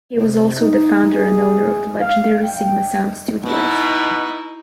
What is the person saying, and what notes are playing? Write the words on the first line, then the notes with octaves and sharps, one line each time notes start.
He was also the founder and owner of the legendary Sigma Sound Studios.
C3
D#4
G#4
F5
G5
B2 D#4 E4